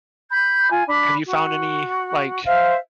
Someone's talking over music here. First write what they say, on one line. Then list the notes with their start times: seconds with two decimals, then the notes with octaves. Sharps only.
Have you found any like
0.30 B5 G6
0.72 F4 G#5
0.88 D4 B5
1.27 F#4
2.46 C5 E5 F5